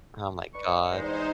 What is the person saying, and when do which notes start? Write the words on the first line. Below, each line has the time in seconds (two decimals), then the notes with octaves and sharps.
Oh my god.
0.54 D4 B4 C#6
0.90 E2 G2 G#3 D#4 C5